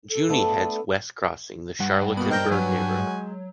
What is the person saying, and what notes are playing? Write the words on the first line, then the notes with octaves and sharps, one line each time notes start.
Juni heads West crossing the Charlottenburg neighborhood.
A4
A3 B3 D4
G2 F#5
B2 A#3 B3 B5
A#4 C5 D#5 G5 G6
F#3 F#4 B4 G#5
G#3